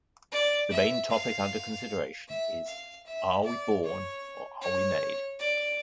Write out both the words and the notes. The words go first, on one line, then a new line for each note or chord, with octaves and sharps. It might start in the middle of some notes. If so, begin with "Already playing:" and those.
The main topic under consideration is: "Are we born or are we made?".
D5
E5
F5
E5
F5
E5
D5
C#5
C#5
D5